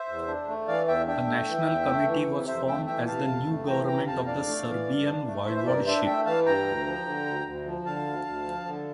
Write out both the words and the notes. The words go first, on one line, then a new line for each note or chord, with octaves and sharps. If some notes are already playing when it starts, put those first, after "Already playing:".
A National committee was formed as the new government of the "Serbian Voivodship".
Already playing: C5 E5
E2
D4
A3
E3 D5 F5
E2 E5 G5
D4 E5 G5
A3
E3
E2
A3
E3
C3
F2 C5 E5
A3 E5 G5
E3 E5 G5
C3 F5 A5
F2
A3
E3 G5 A#5
C3 G5 A#5
F2 F5 A5
D4 D5 F5
A3
E3
G2
D4
A3
E3 C5 E5
E5
G2 A#4 D5
D4 C5 E5
A3 E5 G5
E3 F5 A5
G2 G5 A#5
D2
F3
D3
D2
D2
F3
D3 F5 A5
D2
D2
F3
D3